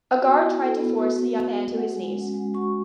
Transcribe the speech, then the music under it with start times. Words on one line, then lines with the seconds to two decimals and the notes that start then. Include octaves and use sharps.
A guard tried to force the young man to his knees.
0.22 B3 F#4
0.42 E4
0.61 E4 A4
0.80 B3
0.99 F#4 B4
1.18 B3
1.38 B3
1.57 F#4
1.77 F#4 F#5
1.96 G#3
2.15 C#4
2.34 G#3
2.54 F#4 C#6